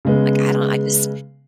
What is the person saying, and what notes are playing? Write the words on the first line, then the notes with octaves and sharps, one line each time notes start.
Like, I don't, I just
C#3 G#3 B3